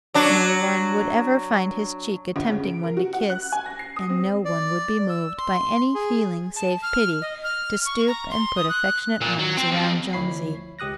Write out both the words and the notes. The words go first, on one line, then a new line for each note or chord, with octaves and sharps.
No one would ever find his cheek a tempting one to kiss, and no one would be moved, by any feeling save pity, to stoop and put affectionate arms around Jonesy.
F#3 D4
G1
C#3
D7
A#4
F#4
F#5
F#6
G#5
A#6
C7
D#6
C4
D5
E6
C6
G#4
A5
F6
D#5
F6
C#6
A#5
C6
D#6
F#6
A#2
F#3
C4
F2
D2 F3 E4 C#5 B5 C7
C#2 G4 D#6 F#6 A#6